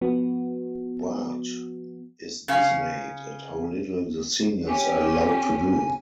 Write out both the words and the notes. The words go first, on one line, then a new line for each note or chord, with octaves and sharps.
Bart is dismayed at how little the seniors are allowed to do.
F3 B3 F#4
C#3 C#4 F5
C#4 G4 G#5